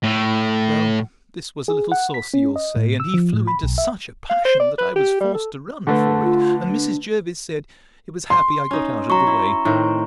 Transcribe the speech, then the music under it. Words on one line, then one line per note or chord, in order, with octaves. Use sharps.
Well, this was a little saucy, you'll say--And he flew into such a passion, that I was forced to run for it; and Mrs. Jervis said, It was happy I got out of the way.
A2
G#4
F#5
B6
C#4
D#5
A2
E6
F3
A2
B5
B1
E5
F5
C5
D5
B4
G4
G3
A4
D3 A3 B4
F4
D4
C6
C#4 D#4
F#3 A#5 C#6
E4
A2 D#3 C4